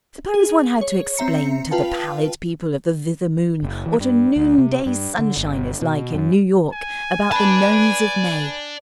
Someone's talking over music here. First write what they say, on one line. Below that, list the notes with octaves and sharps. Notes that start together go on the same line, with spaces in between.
Suppose one had to explain to the pallid people of the thither moon what a noonday sunshine is like in New York about the Nones of May?
G#4
C#5
C4 E5 A#5 C#7
F4 B4 F5 G5 A5
F#1
E3
G2
D2
C3
G2
D3
G1
B2
F#2
G#5
B4 D5 A5